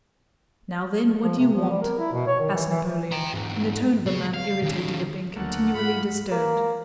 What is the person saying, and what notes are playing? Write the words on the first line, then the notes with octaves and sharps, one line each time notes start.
"Now then, what do you want?" asked Napoleon in the tone of a man irritated at being continually disturbed.
F3
C3
F3
G3
A#4
E4
B2
C#5
D#3
E3
E3
G5 A#5
E2 G#2
C#3 G#4
F5
D#3 C#4
D2 A3 A#3 F#5
G#2 F4 B5
A#3